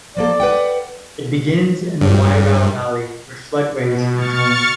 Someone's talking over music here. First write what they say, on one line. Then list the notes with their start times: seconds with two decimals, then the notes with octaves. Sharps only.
It begins in the Wairau valley where floodways are joined.
0.17 F3 A#3 A4 D5
0.40 B4 F#5 G5
2.01 G2
3.78 B2
4.14 C#6 F6 A6 C#7